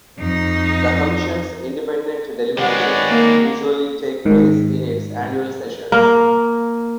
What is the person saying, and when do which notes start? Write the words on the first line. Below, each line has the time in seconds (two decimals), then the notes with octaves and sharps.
The commission's independent deliberations usually take place in its annual sessions.
0.18 F2 D#4
2.58 D#3 G#3 B4 C#5 D5 F#5
3.11 A#3
4.25 G#2 D#3
5.92 A#3